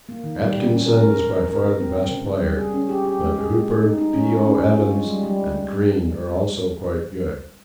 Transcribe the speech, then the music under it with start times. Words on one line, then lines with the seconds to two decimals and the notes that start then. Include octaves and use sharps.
Atkinson is by far the best player, but Hooper, P.O. Evans, and Crean are also quite good.
0.09 A#3
0.23 D#3
0.40 G3
0.55 A#2
0.71 C#4
0.86 A#4
1.01 A#4
1.17 A#4
1.33 A#4
1.48 A#4
1.64 G#3
1.80 C4
1.95 C4
2.11 C#3
2.26 G3
2.42 G3
2.57 G#4
2.74 C#4
2.89 G4
3.05 G4
3.21 G#3
3.36 G#4
3.51 G#3
3.67 G#3
3.83 D#4
3.98 D#4
4.14 C#4
4.29 G#3
4.45 C#4
4.61 C#4
4.77 F4
4.91 G#3
5.07 G3
5.23 G3